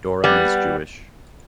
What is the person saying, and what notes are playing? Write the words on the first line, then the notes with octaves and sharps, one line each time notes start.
Doron is Jewish.
G3 B3